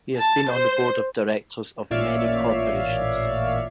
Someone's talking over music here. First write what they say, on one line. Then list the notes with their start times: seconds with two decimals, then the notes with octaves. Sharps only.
He has been on the board of directors of many corporations.
0.19 A5
0.52 C5
1.90 A1 A#2 C#5 D5 E5 F5